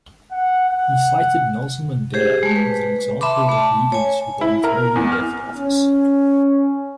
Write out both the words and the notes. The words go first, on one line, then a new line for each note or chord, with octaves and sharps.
He cited Nelson Mandela as an example of leaders who voluntarily left office.
F#5
F#5
G4 G#4 C5
G#3 A3
B4
E5 A5 B5 C6 D6
A3 A5
C#5 G#5
E4
A#4
E2
F6
C#4